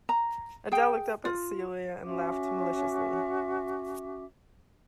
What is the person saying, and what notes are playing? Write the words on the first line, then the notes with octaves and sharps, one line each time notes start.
Adele looked up at Celia, and laughed maliciously.
A#5
G#4 G5
F4
C#4 F#4 E5 D6